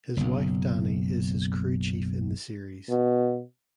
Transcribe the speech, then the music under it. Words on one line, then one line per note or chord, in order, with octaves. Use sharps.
His wife Dani is his crew chief in the series.
F#1 B1
B2